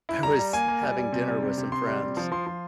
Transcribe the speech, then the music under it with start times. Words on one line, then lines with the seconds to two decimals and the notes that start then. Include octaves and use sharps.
I was having dinner with some friends,
0.09 E4
0.23 G3 A#5
0.39 G3
0.53 A#3 G#5
0.68 A#3
0.83 G3
0.98 G3
1.12 C3
1.28 G3
1.43 C3
1.58 C3
1.72 C3 C6
1.87 G3
2.02 C3
2.17 F3
2.32 F3 C6
2.47 F3